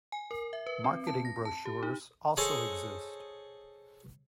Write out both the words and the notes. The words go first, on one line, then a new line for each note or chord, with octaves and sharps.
Marketing brochures also exist.
G#5
A#4
E5
B4
C4
A5
A#6
A5
G4
D#4
G#4 A4 C5 C#5 D#5